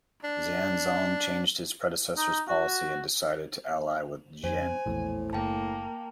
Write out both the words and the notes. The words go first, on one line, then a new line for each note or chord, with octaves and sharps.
Xianzong changed his predecessor's policy and decided to ally with Jin.
D4
D#4
F#4
F2 C5 G#5
A#1 E2 A2
F#1 A#3 G5 A5